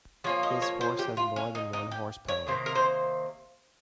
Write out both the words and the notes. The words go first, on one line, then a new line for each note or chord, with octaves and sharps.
This horse has more than one horse power.
F3 A#3 C#4 C#5
D#5
C#5
C5
G4
F4
C#4
D#4
D#4
G4
C#5
C3 D#3 A#3 C5
A#4
C5